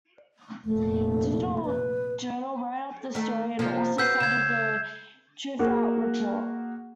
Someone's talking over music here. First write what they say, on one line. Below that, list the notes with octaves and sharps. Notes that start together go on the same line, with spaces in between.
Digital Journal wrote up the story and also cited the "Truthout" report.
F1 A#2 A3
B4
D#3 A3
C3 F3 A#3
F#4 B4 E6 G6 C7
C#3 G#6 E7
A#3 F#4 G#4 A#4